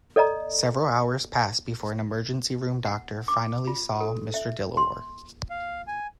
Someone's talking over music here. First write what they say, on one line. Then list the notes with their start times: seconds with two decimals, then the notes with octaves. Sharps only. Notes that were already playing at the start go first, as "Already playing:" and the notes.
Several hours passed before an emergency room doctor finally saw Mr. Dilawar.
0.16 A4 D5 D#5 A#5
2.85 F#5
3.28 D6
3.67 F4
4.00 A4
4.34 E5
4.77 C6
5.50 F5
5.87 G#5